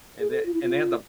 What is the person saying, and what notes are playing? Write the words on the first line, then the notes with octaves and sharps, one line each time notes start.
and they and they had the
G#4
A4
F4
E4
F4